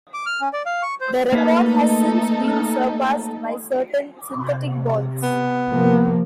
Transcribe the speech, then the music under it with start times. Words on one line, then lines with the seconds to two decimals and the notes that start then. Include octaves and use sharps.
The record has since been surpassed by certain synthetic boules.
0.14 D6
0.26 F6
0.41 C#4
0.53 D5
0.66 F5
0.82 C#6
1.01 C5
1.32 A3 A#3 D#4 A4 B4
4.33 C3
5.22 B3
5.73 C3 F3 A#3